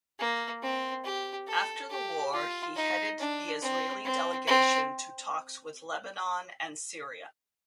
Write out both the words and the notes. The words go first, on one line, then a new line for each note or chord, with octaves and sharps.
After the war, he headed the Israeli delegation to talks with Lebanon and Syria.
A#3
C4
G4
A4
G4
F4
D#4
D4
C4
C4
C4